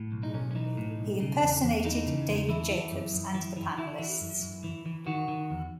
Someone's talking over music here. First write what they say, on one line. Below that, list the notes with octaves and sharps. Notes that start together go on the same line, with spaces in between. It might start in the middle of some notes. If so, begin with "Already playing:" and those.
He impersonated David Jacobs and the panellists.
Already playing: A2
B1
D#4
B1 C#4
C#4
E3 D#4
A2
B1
C#3
E2
E2
E3 D#4
C#3
E2
E3 E4
E3
F#2
F#2
E3
E3
E3 E4
E3
F#2
F#2
E3
E3
D#3 F#4
D#3
E2